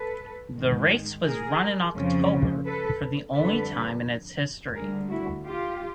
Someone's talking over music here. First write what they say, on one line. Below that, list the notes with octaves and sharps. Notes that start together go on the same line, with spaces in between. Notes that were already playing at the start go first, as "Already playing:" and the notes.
The race was run in October for the only time in its history.
Already playing: A4 B4
G#2 D#3 G#3
G#4 A#4
F2 C#3 F3
A4 B4
F2 D3 G3 A4 B4
D2 D3 G3 G#4 A#4
E4 F#4
F4 G4